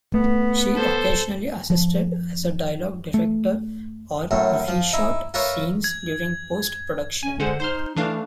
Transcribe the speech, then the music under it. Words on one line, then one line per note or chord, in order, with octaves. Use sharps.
She occasionally assisted as a dialogue director, or re-shot scenes during post-production.
A3 B3
A4 C5
F3
A3
F#2 A2 A3
F3
D#4 E4
F4 A#4 B4 C#5 E5
G#6
C#4 G#5
D3 G#3 C5 F#5
D#4 C5 C6 F6
E3 A3 D4 F5